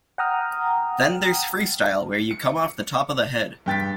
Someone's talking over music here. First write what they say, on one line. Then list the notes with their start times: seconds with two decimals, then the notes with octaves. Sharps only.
Then there's freestyle where you come off the top of the head.
0.18 F#5 G5 A#5 D#6 F6
2.31 C#7
3.66 G2 G5 A6 B6